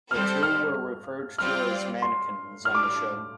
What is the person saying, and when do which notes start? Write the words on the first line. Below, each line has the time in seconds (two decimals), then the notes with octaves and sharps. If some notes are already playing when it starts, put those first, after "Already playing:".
The two were referred to as "mannequins" on the show.
0.11 G3 C4 A4 C5 F6
0.43 F6
1.38 G3 C4 F4 D5 F6
2.02 C6
2.65 A2 G3 D4 F6
2.74 D6
2.83 F6